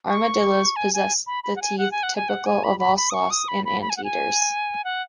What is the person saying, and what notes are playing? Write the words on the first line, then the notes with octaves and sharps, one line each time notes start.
Armadillos possess the teeth typical of all sloths and anteaters.
C#6
G#5
G#5
B5
B5
F#5
G#5
F#5
G#5
F#5
G#5
F#5
G#5
B5
B5
B5
D#6
C#6
D#6
B5
B5
B5
G#5
F#5
G#5
F#5